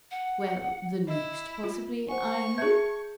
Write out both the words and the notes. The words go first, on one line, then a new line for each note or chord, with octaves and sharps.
'Well, the next possibly, I hope?'
F#5
E4 D#5
F4
C5 F#5 G#5 C#6
G#4 E5 A5 G6 G#6